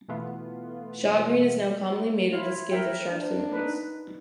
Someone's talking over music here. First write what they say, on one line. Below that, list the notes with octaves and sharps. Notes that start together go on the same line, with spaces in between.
Shagreen is now commonly made of the skins of sharks and rays.
B2 E3 A3 B3 F4
E4 F4 F5
A#4 E5 G5
D4
D#4 B4